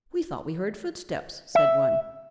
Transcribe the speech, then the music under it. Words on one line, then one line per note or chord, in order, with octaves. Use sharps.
"We thought we heard footsteps," said one.
E5